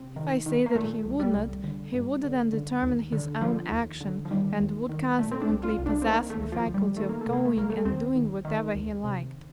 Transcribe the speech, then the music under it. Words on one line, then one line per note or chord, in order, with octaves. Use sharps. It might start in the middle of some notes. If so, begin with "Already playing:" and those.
If I say that he would not, he would then determine his own action, and would consequently possess the faculty of going and doing whatever he liked.
Already playing: C3 C4
D#3
D#3
A#3
A#2 A3
C2
G3
C2
D3
G2
D3
D3
D#2
D3
D3 F3
D#2
D3
F3
D#3 G3
D#2
D#3
A#2 A3
C4
D4
C2
F4
C2
D4
C4
D#3 A#3
A3
D2
F3
D2
G3
D#3 A3
A#3
A3
C3
A#3
A3
C2 A#3
A3
D#2 C4
D#2
D#3
D2
C3